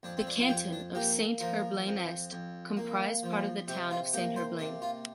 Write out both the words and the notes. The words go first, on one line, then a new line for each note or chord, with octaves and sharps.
The canton of Saint-Herblain-Est comprised part of the town of Saint-Herblain.
F2 D4
C4
D4
F4
F2 G4
D4
A#3 G4
F3 A#4
F2
F2
A#3
F3
C3 G4
F4
A#3 G4
C5
C3 D4
F4